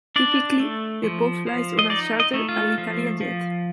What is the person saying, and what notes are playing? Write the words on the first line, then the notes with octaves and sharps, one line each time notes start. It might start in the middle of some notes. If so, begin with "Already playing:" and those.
Typically, the Pope flies on a chartered Alitalia Jet.
D4 D5
A3
F3
F3
D#5
D#4 D5
D#5
A3
F4
F3
F3